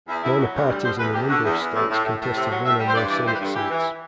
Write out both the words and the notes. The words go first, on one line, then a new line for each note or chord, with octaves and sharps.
Minor parties in a number of states contested one or more Senate seats.
E2 E4
E2 E4
F#3
D2
G3
B2 C5
E2 B4
E2 G4
D3 F#4
E2
E2
A2
A2
A2
A2
C3
F#3
A2 E5
G3
C5
G2 D5
E3 D5
G3 C5
B4
G2
A4
E3 G4
E3